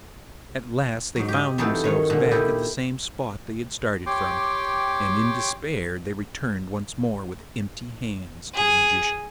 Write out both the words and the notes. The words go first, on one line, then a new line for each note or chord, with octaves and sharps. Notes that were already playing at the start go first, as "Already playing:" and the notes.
At last they found themselves back at the same spot they had started from, and in despair they returned once more with empty hands to the Magician.
G#2 F#3
G4 D#5
C3 E3 F#3 D#4 A4
D#3 C#5
A#2 D3
D#4 E4 G4
G4 C#5 G5 C6 D6
G#4